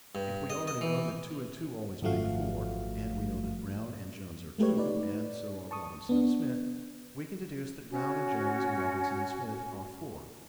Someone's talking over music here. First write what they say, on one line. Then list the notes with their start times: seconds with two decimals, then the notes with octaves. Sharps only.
If we already know that two and two always make four, and we know that Brown and Jones are two, and so are Robinson and Smith, we can deduce that Brown and Jones and Robinson and Smith are four.
0.15 G2
0.50 D#5
0.67 D#5
0.81 E3
2.02 G#1 F#2 F3 A3 F#4 F5
4.58 G#3 A3 G4 B4 C#5
4.77 D#4 B4 D5
5.71 A5 C#6 D#6
6.09 B3 D4
7.91 C#4 F#4